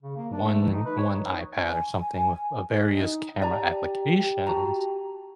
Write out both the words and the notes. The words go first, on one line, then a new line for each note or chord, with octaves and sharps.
one one iPad or something with, uh, various camera applications
C#3
A#3
D4
A3
E3
D#4
B4
C#5
D#4
G#5
D#4
G4 D5 A5 A#5
F#4 A5 A#5